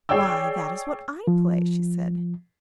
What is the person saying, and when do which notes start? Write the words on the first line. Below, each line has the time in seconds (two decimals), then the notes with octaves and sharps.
'Why, that is what I play!' she said.
0.09 G#4 C#5 D5 G5 E6
1.27 F3